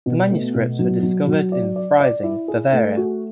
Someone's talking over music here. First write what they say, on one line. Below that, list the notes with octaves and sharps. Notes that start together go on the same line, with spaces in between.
The manuscripts were discovered in Freising, Bavaria.
B2
A3
B2
F#3
F#3
F#3
D5
D5
D5
E4
G#4
A3
F#4